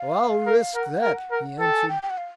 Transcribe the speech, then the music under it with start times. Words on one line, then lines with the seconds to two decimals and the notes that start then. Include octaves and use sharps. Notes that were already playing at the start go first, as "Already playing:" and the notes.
"I'll risk that," he answered.
Already playing: F5
0.47 A#4
0.75 A#4 F#5
1.03 A#4
1.31 A#4
1.60 A4 G5
1.74 G#5
1.89 G5
2.03 G5
2.10 F#5
2.17 F5